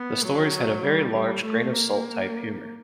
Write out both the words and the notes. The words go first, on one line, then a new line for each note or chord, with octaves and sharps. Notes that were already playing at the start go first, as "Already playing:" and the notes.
The stories had a very large grain-of-salt-type humor.
Already playing: B3
F#3
G3
G3
A3
A#3